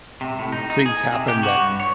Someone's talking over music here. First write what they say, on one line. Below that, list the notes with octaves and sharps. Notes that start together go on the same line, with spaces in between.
things happen that
C3
A2
D#4
D#4
G#4
C3
G4
F#4
G2
C#5